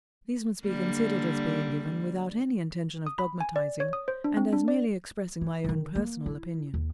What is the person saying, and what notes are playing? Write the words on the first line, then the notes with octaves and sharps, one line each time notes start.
These must be considered as being given without any intention of dogmatizing, and as merely expressing my own personal opinion.
D3 G3 A#3
D#6
B5
G#5
D5
C#5
D#6
C5
D4
C4
D4
D5
E4
D3 D#3
A#3
E4
D#2